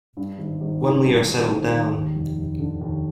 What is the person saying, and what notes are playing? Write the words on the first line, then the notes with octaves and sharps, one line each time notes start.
When we are settled down.
G2
G#1
G#1
D#3
G2
G#1
G#1
D#3
D#2
F1
F1
D3
D#2